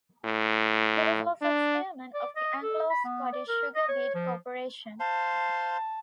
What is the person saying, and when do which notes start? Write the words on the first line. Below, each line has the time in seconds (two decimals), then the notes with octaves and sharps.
He was also chairman of the Anglo-Scottish Sugar Beet Corporation.
0.25 A2
1.42 D4
2.14 D5
2.36 D#5
2.63 A4
2.90 B5
3.04 B3
3.33 D5
3.48 A#4
3.75 D#5
3.88 C#5
4.15 F3
5.00 C5 F5 A5 C6